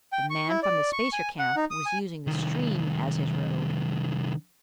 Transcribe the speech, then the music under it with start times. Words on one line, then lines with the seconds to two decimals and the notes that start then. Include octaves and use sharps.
The man from the spacer camp was using the stream as his road.
0.12 G5
0.30 C#6
0.49 E4
0.63 D5
0.93 C#6
1.13 G#5
1.39 F#5
1.56 D#4
1.71 D#6
1.86 G#5
2.27 C2 D#3